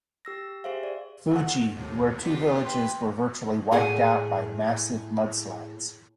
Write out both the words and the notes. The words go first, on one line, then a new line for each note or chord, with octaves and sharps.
Fuji where two villages were virtually wiped out by massive mudslides.
G4 E6 A#6
G4 G#4 C5 E5 F5
D5
A3 F#4 F#5
D#2 A2 C3
D#3 B3 C4 D4 F4 G4
G4 B4 G5 C6
A2 G#4 F#5 G#5